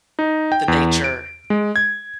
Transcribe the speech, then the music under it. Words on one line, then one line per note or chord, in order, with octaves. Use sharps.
the nature
D#4
G5
E2
D7
G#3
G#6